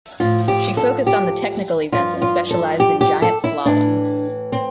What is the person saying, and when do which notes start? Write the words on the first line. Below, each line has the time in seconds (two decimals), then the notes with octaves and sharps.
She focused on the technical events and specialized in giant slalom.
0.20 A2 F3 F4
0.48 G4
0.77 A4
1.07 G4
1.92 G2 F3 F4
2.22 F4
2.51 A4
2.80 G4
3.01 G4
3.22 A4
3.44 E4
3.66 A2 E3 D4
4.52 C4